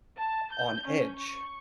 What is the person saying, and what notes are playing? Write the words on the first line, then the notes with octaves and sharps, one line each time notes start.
on edge
A5
G6
C#4
C#6